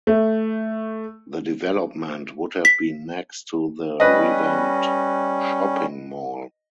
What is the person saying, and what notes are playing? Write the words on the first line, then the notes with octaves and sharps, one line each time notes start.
The development would have been next to the revamped shopping mall.
A3
B6
G3 C#4 B4 D#5